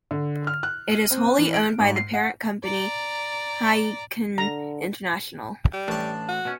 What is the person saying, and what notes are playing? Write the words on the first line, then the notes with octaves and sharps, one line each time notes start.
It is wholly owned by parent company Heineken International.
D3
F6
F#6
D#7
C4
E3
D7
G#2
C7
F#5
D5 A#5
D3 A#5
G3
A1 D4 A5
F#4
B2 C#4